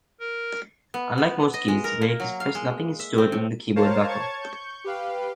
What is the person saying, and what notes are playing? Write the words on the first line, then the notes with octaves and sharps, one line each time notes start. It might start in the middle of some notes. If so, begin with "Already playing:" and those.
Unlike most keys, when it is pressed nothing is stored in the keyboard buffer.
A#4
B3
B3
D#5
G#3
A#4
A#3
F#3
F5
G#3
E5
C4
A2
A#4 C5 C#5 F5 A5
C#5 A5 C#6 G#6
C#6 G6
G4 B4 F5